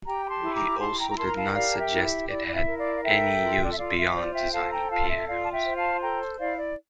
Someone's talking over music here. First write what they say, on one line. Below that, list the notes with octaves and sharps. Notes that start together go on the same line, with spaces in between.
He also did not suggest it had any use beyond designing pianos.
G4 G5 A#5
A#5
A5 C6
E4
A#5 D6
E4 A5 C6
G5 A#5
A#5
A#4 A5 C6
A#5
F5 A5
G5
G4 D5 F5
A5
E5 G5
E4
E5
E4 D5
D5
E5
A#4
D5 F5
F5
A4 E5 G5
F4
D5
E5
F4 D5 F5
E5
C5 D5
E5 G5
A4 F5 A5
G5 A#5
F4 F5 A5
E5
F4 D5 F5
A5
E5 G5
C5
F5 A5
A4 G5 A#5
E4 D5 F5
D5